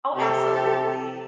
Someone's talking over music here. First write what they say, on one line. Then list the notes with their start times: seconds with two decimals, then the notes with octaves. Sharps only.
Oh, absolutely.
0.15 C3 G4 A4